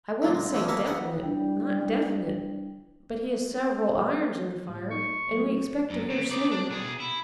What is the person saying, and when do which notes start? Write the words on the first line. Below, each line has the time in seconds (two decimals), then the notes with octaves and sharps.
"I wouldn't say definite, not definite, but he has several irons in the fire and we expect to hear soon."
0.22 A#2 D3 F#3
0.34 G#3
0.53 C#3 E3 F3 A3 C#4
0.68 A#3 B3 C#5 E5 A5
0.85 F2 B3 F#5
1.23 G3 D4 E4 G5
4.68 A2 G3
4.91 D#4 C#6
5.32 F#3 A3
5.90 F#2
6.10 C#3
6.31 D#4 D5
6.51 D4
6.70 B2 G#4
7.00 E4